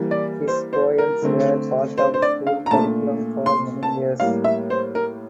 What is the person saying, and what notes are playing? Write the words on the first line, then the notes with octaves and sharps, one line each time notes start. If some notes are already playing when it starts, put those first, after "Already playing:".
His poems were part of school curriculum for many years.
Already playing: E3 G3 A#3
D5
C5
C5
A#4
D3 A3 C4
C5
C5
D5
F5
A#5
A#2 A3 D4 A5
C6
A5
A2 G3 A#3 F5
E5
C5
A#4